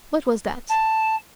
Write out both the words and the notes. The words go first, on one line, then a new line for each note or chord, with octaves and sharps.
What was that?
A5